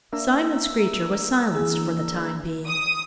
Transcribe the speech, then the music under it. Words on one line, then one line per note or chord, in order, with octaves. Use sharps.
Simon Screecher was silenced for the time being.
A#3 D4 E5 A#5 E6
E3 G#4
D#6